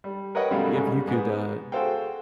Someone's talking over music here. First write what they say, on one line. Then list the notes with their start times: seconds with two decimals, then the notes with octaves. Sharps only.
if you could, uh,
0.04 G3
0.35 A#4 B4 C#5 D#5 F#5 G5
0.51 F#2 B2 G3 A3 F5
0.74 G#2 C#3 G3 G#3
1.07 G#2 B3
1.72 F#4 G#4 A4 C5 F5 G5